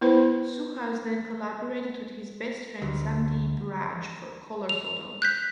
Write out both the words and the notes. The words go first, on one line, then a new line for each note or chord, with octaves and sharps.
Suhas then collaborated with his best friend Sandeep Raj for "Colour Photo".
B3 E4 B4 C5 B5
D2
F7
F#6 G6 B6